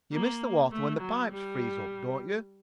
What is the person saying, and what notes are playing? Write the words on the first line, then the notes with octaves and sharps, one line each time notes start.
You miss the water when the pipes freeze up, don't you?
A#3
A3
F#3
G3